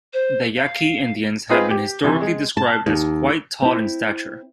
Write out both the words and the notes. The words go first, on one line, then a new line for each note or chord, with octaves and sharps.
The Yaqui Indians have been historically described as quite tall in stature.
C5
F5
C4 D#4 F4 G#4 B4
G4
C3 E3
G#3
A5
D#2
C4 E4